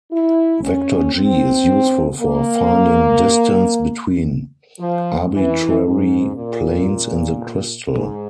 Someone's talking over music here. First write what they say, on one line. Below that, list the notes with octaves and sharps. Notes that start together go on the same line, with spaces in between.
Vector G is useful for finding distance between arbitrary planes in the crystal.
E4
C#4
C4
A#3
F3
E3
G#2
A#2
G#2